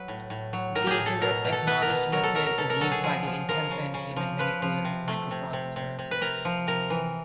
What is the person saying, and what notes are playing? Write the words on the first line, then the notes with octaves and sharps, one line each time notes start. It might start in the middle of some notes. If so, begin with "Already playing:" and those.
The interrupt acknowledge method is used by the Intel Pentium and many older microprocessors.
Already playing: F#3 B4
A2
A2
F#3
A2 A#4
G4 G#4
A2
A4
B2 A#4
B2
A4
B3 B4
A#4
B2
F#3 A#4
A4
F#3 A#4
A#4
B2 A4
A#4
F#3 A4
G#4
F3 G#4
F3
F3 A#4
C#3
C#3
F3
F3 B4
F3
C3
A3
C3
C3
C3
C3
B4
C3 A#4
F3
C3 A#4
E3